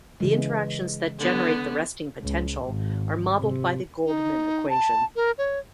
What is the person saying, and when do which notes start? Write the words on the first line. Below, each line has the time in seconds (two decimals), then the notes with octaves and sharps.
The interactions that generate the resting potential are modeled by the Goldman equation.
0.21 C#3 E3 G#3
1.18 D3 B3
2.22 C#2
2.64 G#1
3.39 C3
4.06 D#4
4.69 A5
5.16 A#4
5.38 C#5